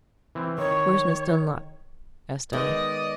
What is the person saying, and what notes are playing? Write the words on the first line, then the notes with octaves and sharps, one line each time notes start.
"Where's Miss Dunlop?" asked I.
E3 C4
D#3 C#5
D#3 G#3 B3 D5 D#5 D#6